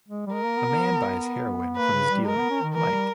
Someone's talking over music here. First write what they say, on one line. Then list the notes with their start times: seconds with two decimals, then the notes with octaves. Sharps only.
A man buys heroin from his dealer, Mike.
0.09 G#3
0.26 G3
0.33 G#3 A#4
0.44 A#3
0.57 B3
0.69 B3
1.77 A#3 B4
1.93 C#3
2.10 G3
2.26 G#3 A#4
2.39 B3
2.50 C#4
2.62 D#3
2.74 E3 A#4
2.91 G3